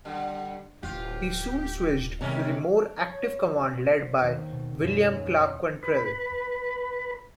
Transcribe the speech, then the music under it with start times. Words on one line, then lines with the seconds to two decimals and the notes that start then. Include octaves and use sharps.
He soon switched to the more active command led by William Clarke Quantrill.
0.05 D3 G3
0.83 D1 F4 G4
2.21 C3 D#3 G#3 C#4 A#4
2.79 D7
2.99 C#5
3.25 C4
3.56 F#4
3.79 C5
4.21 D#2
4.51 B2
4.80 F#2
5.02 C#4
5.26 F#5
5.83 B4 B5